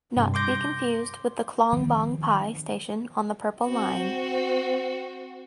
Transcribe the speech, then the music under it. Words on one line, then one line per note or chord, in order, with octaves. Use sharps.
Not to be confused with the Khlong Bang Phai station on the Purple Line.
G2 C3
C6 D6 G6 A#6
D#3 F3 C4
C4 F#4